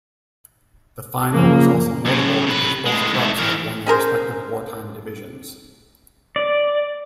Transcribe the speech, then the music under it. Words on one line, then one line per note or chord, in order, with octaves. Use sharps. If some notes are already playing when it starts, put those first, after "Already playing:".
The final was also notable because both clubs had won their respective wartime divisions.
F#2 C#3 F3 A#3
F#2 C#3
C3 B4
A2 G#3
G#2 A3
E3 A#4
C#4 G#4 A#4 C5
D5